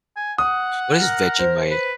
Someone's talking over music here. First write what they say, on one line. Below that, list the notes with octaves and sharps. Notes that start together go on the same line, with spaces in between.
What is Vegemite?
G#5
F#5 D#6
A#4
C5
B4